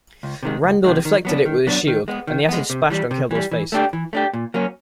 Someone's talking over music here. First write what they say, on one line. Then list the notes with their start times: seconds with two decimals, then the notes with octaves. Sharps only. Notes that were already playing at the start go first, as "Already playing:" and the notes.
Randor deflected it with his shield, and the acid splashed on Keldor's face.
0.23 C#2
0.43 C3 D#3 G#3
0.64 C#2
0.84 C3 D#3 G#3
1.05 D#3
1.25 F#3 B3 D4
1.45 D#3
1.67 F#3 B3 D4
1.87 D#3
2.08 G#3 B3
2.27 D#3
2.49 G#3 B3
2.70 C3
2.90 E3 G3
3.11 C3
3.31 E3 G3
3.51 E3
3.72 A3 D4 G4
3.93 E3
4.13 A3 D4 G4
4.33 A#2
4.54 F#3 A#3 C#4